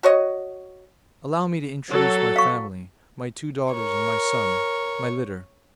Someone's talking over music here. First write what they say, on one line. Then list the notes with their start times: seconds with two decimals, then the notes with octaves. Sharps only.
Allow me to introduce my family, my two daughters and my son--my litter.
0.03 F#4 C#5 D#5
1.89 F#3 A4
2.36 F5 C#6
3.73 A#4 C#5